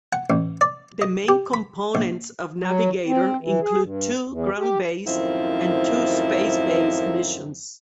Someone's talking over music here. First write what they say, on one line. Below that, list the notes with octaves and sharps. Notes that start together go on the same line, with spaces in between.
The main components of Navigator include two ground-based and two space based missions.
F#5
A1
D5
D#5
G4
B5
A#1
F#3
C4
E3
G#4
G2
E2
G4
F#2 A2 D#3 F3 C4 E4